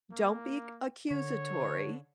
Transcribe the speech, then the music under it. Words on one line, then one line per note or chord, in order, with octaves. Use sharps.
don't be c accusatory,
A#3
D3 C#5